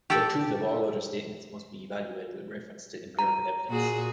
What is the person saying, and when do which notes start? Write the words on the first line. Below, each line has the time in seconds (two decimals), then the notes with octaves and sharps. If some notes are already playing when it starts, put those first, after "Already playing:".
The truth of all other statements must be evaluated with reference to empirical evidence.
0.10 G4 A4 D5 G5
3.19 A#5
3.69 A#2 F#4 G#4